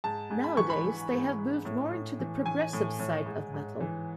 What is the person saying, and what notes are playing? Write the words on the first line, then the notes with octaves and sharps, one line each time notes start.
Nowadays, they have moved more into the progressive side of metal.
G#2 A5
G#2
B5
E3 C#6
B5
E3
G#2
G#2
A2
A2
E3
E3 G#5
A2
A2
G#2
G#2
E3